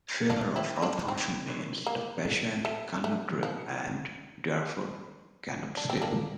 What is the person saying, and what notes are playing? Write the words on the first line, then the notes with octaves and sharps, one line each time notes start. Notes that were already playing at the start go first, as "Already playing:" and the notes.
Failure of alpha-function means the patient cannot dream and therefore cannot sleep.
D4 F4
C4 E4
A#3 D4
C4
A#3
A3
A3
F3
D4
C4
A#3 D4